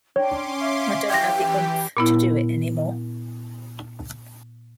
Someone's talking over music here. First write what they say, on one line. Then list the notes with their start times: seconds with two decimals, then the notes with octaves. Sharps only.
I don't have the oomph to do it any more.
0.16 C#4 D4 C#5 G5 C6 D6
0.60 E5 F5
1.10 E3 G4 G5 G#6 A#6
1.97 A#2 B3 E4